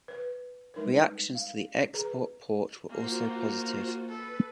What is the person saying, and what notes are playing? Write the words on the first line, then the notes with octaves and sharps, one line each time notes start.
Reactions to the Xbox port were also positive.
B4
G3 G#3 D#4 A#4 B4
F5
G#4 B4 A#5
A#3 F4 F#4 C5
A4 B4